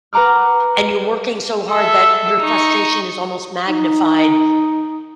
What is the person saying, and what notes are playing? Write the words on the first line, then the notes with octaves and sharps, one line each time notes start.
and you're working so hard that your frustration is almost magnified
B4 F#5 A#5 D6 F6
A4 E5
D#4 C#6
D#4